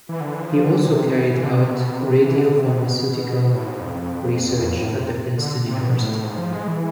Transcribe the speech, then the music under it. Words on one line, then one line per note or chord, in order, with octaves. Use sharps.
He also carried out radiopharmaceutical research at Princeton University.
E3
D3
E3
F3
D3
C3
B2
E3
D3
C3
B2
C3
E3
D3
C3
B2
A2
G#2
F2
F2
E2
F2
A2
C3
D3
C3
B2
A2
G#2
F3
G#3
E3